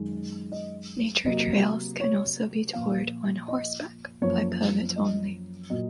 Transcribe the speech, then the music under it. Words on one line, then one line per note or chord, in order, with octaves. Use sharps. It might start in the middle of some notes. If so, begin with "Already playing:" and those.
Nature trails can also be toured on horseback by permit only.
Already playing: F#2 D#3 G#3
D#5
C3 F#3 A#3 D#5
C#5
A#2 F3 A#3 F5
D#5
F#2 F3 A#3 C#5
D#5
A#2 F#3 A#3 D#5